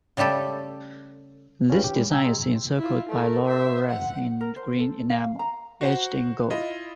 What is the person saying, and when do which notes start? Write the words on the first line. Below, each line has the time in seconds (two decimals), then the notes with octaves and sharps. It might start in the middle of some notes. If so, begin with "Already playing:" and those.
This design is encircled by a laurel wreath in green enamel, edged in gold.
0.17 C#3 G3 A3 G4 A4
1.70 C#4 D4 F4 G4 G#4 B4
1.82 D#3 G4
1.95 G3 G#3
2.10 B2 G5 G#5 A#5 E6 G#6
2.24 G4 G#4 D#5 A#5 C6
2.36 G2 C#3
2.79 E4 F4
3.10 A3 A#4
3.47 C5 E5
3.87 F#5
4.41 A#4
4.56 C5
4.79 A4
5.10 F5
5.39 A#5
5.81 F#4 C5 F#5
6.50 E4 F4 D#5